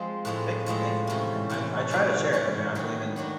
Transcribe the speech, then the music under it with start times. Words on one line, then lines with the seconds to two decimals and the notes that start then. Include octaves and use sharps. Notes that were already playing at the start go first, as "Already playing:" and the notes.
Thank you, thank you, and I I try to share it. You know, I believe in
Already playing: F3 G#3 C4
0.25 A2 F3 G#3 C4
0.66 A2 F3 G#3 C4
1.07 C3 E3 A3 C#4
1.50 C3 E3 A3 C#4
1.91 C3 E3 A3 C#4
2.33 C3 E3 A3 C#4
2.75 D#3 F#3 B3 D4 F#4
3.16 D#3 F#3 B3 D4 F#4